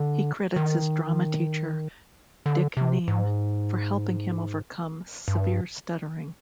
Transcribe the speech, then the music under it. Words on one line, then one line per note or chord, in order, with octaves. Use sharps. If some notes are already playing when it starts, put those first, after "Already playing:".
He credits his drama teacher, Dick Nieme, for helping him overcome severe stuttering.
Already playing: D3
D#3
D3
C3
G#2
G2